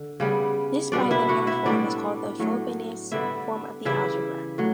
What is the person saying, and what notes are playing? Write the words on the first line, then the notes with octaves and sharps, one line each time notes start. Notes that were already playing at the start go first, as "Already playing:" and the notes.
This bilinear form is called the Frobenius form of the algebra.
Already playing: D3
C#3 G3 B3
B2 G3 B3 D4 D5
E4 E5
F#4 F#5
E4 E5
A2 G3 B3 D4 D5
A2 F#3 A3
D3 G3 B3 E4 E5
C#3 E3 G3 E4 E5
A2 F#3